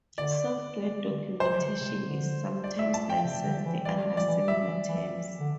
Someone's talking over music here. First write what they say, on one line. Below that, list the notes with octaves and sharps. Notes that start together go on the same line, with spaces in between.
Software documentation is sometimes licensed under similar terms.
D3 D5
G3
D3
C3 C5
D3
C3
D3
D5
E5
A5
G5
C3
D3
E3
E3 D5
G3
D5
E3
G3 E5
E3
E3
D3